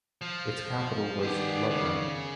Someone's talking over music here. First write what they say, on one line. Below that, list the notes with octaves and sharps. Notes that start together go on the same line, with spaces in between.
Its capital was Lublin.
F3
D#3 B3 G4 G#4 D5
C#3